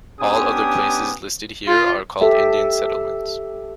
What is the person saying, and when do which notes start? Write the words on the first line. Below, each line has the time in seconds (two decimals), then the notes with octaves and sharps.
All other places listed here are called Indian Settlements.
0.19 B3 C#4 D4 G4 G#5 D#6
1.68 F4
2.21 G4 A4 E5